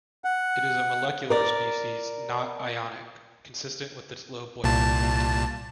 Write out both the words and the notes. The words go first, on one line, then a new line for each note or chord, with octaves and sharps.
It is a molecular species, not ionic, consistent with its low boiling point.
F#5
A#4 D5
C2 A#2 A5